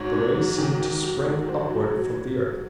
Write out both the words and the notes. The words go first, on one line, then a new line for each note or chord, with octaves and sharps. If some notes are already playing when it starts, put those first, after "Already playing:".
The rays seemed to spring upward from the earth.
Already playing: G#2 F#3 C#5
G#2
F#3
D#3
D#3
F#3
G#2
F#3 C5
F#3
F#3